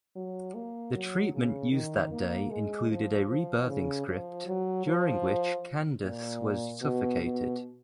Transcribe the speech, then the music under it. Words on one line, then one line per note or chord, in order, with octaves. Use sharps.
The treatment used that day included a rebirthing script, during which Candace was suffocated.
F#3
A#3
F#3
C#3
D#3
A#3
G#3
F3
F3
C#3
F3
F#3
F3
A#2
B2
B2